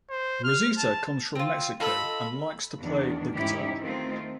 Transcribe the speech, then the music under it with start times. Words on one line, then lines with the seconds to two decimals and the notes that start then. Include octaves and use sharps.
Rosita comes from Mexico and likes to play the guitar.
0.10 C5
0.44 F6
0.78 A5
1.35 C4 F4
1.80 F4 A4 D#5 B5 E6
2.79 E2 D#3 D4
3.35 G#2 C#4 D#4 E4 G4
3.80 D#3 A3 C4 F4